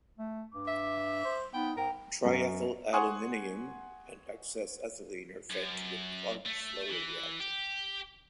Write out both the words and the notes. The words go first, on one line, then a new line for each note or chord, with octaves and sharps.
Tri-ethyl aluminium and excess ethylene are fed to a plug flow-reactor.
A3
G2 D6
E5
C5
B3 D#4 G5
G#2 A#4 G5
F#2
F#5 G#5 C6 C#6 D#6
F#2
A3
E3
G4